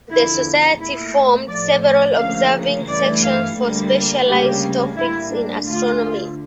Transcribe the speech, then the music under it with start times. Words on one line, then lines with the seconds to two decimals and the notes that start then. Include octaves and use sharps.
The society formed several observing Sections for specialised topics in astronomy.
0.10 E2 D3 F3 E4
0.79 A#2 A3 E4
1.48 A2 F3 A3 D5
1.83 D5
2.18 D2 C#3 F3 A#3 F5
2.88 G2 E3 A3 D5
3.23 F5
3.57 D2 D3 G3 A#3
4.27 D2 C#3 G3 A#3 G4
4.97 A2 G3 A#3 E4
5.31 D4
5.67 D2 D3 A3 F4